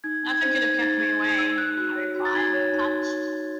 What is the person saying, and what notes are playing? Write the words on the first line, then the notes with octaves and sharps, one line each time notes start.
"Nothing could have kept me away," I replied, touched.
D#4 G#6
D#4
G#6
C5
G#6
D#4
D#4 A6
G#4 G#6
D#4 G#6
D#4 E6
D#4 F#6
F#4
C#5
F#4
A6
D#4 G#6
C#5
D#4